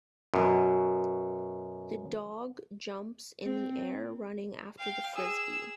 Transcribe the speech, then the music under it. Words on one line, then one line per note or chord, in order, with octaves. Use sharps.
The dog jumps in the air running after the Frisbee.
F#2 B2
C4
F5 G5
G#4 E6